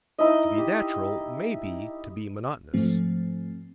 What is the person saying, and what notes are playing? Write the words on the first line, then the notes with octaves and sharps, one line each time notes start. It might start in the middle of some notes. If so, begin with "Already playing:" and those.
To be natural may be to be monotonous.
D#4 E4 D#5
G4
G#2 F3 A3 C4